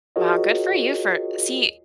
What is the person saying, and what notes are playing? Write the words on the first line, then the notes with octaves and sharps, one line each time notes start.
Wow, good for you for See,
F4 F#4 G#4 A#4 C#5 D#5